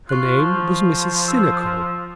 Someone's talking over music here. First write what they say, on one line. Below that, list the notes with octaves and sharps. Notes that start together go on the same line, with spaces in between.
Her name was Mrs. Sinico.
F4 C#6 F#6
F3
E6